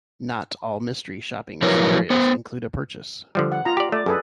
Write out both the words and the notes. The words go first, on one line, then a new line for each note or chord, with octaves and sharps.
Not all mystery shopping scenarios include a purchase.
F3 F#3 E4 A#4 B4 C#5
B3 C5
D3 F3 G3
F#5
F4 A#5
G4 D5
A3 D5
F#2 G#4 A4 B4